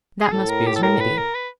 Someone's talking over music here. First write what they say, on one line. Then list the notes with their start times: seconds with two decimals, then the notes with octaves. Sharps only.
That must be his remedy.
0.21 G#4
0.32 A2 A4
0.49 A#4
0.66 G4
0.76 A4
0.83 A#4
1.00 B4
1.17 A#4
1.34 B4